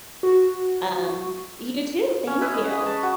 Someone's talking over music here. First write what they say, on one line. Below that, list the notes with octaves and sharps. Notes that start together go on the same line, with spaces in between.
Um, you too. Thank you.
F#4
C#4 C#5
E4 B4 D#5
D#5
G#4
C#5 A5
F#4